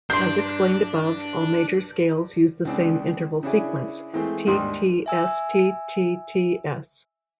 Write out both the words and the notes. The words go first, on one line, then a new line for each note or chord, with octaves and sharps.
As explained above, all major scales use the same interval sequence T-T-S-T-T-T-S.
G2 D4 A#5 C6 G6 C7
C#2 C#3 C4 D4
C#3 C#4 D4 E4 G#4
E3 G#3 A3 C4
D#2 G#2 G3 D4 C6 D#6
E5 G#5 E6